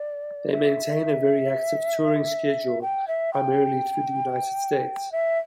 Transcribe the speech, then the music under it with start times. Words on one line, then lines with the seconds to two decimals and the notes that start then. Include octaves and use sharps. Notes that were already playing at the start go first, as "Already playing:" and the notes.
They maintain a very active touring schedule, primarily through the United States.
Already playing: D5
0.52 E5
2.82 G5
3.08 E5
3.33 G5
5.12 E5